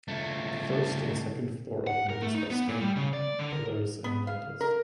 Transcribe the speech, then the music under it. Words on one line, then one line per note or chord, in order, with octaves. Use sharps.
The first and second floor openings have stone pillars and lintels.
C#2 A3
F#5
A#4
A3
D#4
B3
A#2
G3
C#3
D5
D3
A#4
B3
F5
A#4